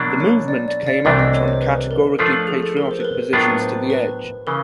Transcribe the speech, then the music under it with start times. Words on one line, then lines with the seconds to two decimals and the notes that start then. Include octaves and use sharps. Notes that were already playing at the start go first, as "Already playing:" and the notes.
The movement came out on categorically patriotic positions to the edge.
Already playing: B2 F#3 A#3 D4
0.20 C#5
0.48 D5
0.68 D5
0.87 D5
1.05 C2 C3 E3 A3 D4 D5
1.19 D#5
1.33 C#5
1.48 C5
1.62 B4
1.91 A#4
2.19 F3 A3 D4 F4 A4
2.33 A4
2.47 G#4
2.63 A4
2.77 A#4
2.91 C5
3.00 B4
3.05 A#4
3.18 B4
3.33 A2 F#3 B3 D4 F4 A#4
3.50 B4
3.62 C5
3.90 B4
4.47 C#3 E3 A#4